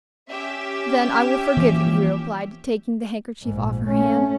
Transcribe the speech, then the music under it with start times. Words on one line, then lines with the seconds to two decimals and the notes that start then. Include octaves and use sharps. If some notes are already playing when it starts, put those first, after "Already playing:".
"Then I will forgive you," he replied, taking the handkerchief off her hand.
0.30 C#4 G4 E5
1.57 E3 F3 A#3
3.43 A#1 G#2
3.87 A3 C#4